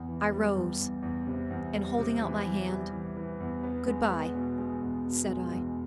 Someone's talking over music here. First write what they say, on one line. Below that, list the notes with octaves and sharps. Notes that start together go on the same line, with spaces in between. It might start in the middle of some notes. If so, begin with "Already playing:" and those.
I rose, and holding out my hand, "Goodbye," said I.
Already playing: E2
E3
G3
E2
E2
E2
C3
E2
G3
C3
E3
E3
G3
E3
E3
E2
B3
G#3
B3
B2
G#3
E2
B2
G#3
E2